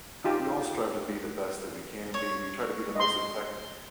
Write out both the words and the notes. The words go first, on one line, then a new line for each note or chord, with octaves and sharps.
we all strive to be the best that we can be. We try to be the most effective,
D#4 F4 G4
C#5
D#5 C6